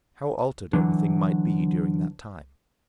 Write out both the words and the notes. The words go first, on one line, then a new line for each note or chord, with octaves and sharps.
How altered every thing might be during that time!
D3 E3 F#3